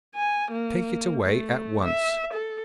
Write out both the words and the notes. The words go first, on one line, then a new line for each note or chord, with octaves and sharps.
'Take it away at once!'
G#5
A#3
A3
E5
A4